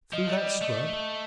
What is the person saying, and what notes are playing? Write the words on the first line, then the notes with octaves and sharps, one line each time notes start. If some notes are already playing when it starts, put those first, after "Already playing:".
Through that scrub?
F3 D#5
A3 D#5
G3
D5
A3 D#5